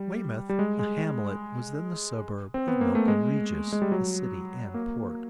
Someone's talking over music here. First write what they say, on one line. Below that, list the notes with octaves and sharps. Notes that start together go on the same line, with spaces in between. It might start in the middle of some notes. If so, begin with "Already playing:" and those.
Weymouth, a hamlet, was then the suburb of Melcombe Regis, a city and port.
Already playing: G3
G3
G#3
G#3
C4
B3
A#3
A3
G#3
G#3
G3
F#3
A#3